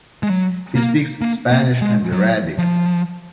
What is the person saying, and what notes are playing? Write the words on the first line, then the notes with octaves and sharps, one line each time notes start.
He speaks Spanish and Arabic.
G#3
F#3
A#3
A#3
A#3
G#3
F#3
F3